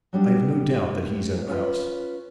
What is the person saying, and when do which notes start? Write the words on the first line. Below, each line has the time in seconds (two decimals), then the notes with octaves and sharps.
'I have no doubt that he's in the house.'
0.13 F#3 G3 D4 D#4
1.48 C#4 F4 B4